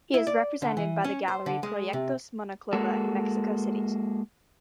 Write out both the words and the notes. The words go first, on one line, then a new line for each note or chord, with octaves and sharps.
He is represented by the gallery Proyectos Monclova in Mexico City.
E4
D5
D3
E3
C#4
C5
D3
G#3
C3
G#3 A#3 F#4 A4